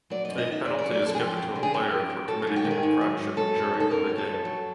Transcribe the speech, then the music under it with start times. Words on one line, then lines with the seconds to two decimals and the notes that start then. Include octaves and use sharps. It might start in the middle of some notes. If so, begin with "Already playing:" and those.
A penalty is given to a player for committing an infraction during the game.
0.10 F#3 D5
0.25 F#2 D#5
0.38 D#5
0.48 D#3 E5
0.65 F#2 D5
0.79 D5
0.84 F#3
0.92 D5
1.02 F#2 A4
1.15 G#4
1.19 F3 G4
1.37 F#2
1.55 D3
1.63 G#4
1.74 F#2 G4
1.91 F3
2.10 F#2
2.28 F#3 A4
2.42 G#2 G#4
2.56 G4
2.65 D#3
2.71 G#4
2.83 G#2
3.01 F#3
3.18 G#2
3.37 F#3 A4
3.55 F#2
3.74 D#3
3.80 A4
3.90 F#2 A#4
4.09 F#3
4.18 A4
4.27 F#2
4.45 F#3